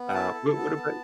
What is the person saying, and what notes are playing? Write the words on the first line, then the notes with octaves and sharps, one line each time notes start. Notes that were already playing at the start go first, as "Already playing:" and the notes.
Uh, but what about
Already playing: B3
F#5
E4 A5
A4
B3
B3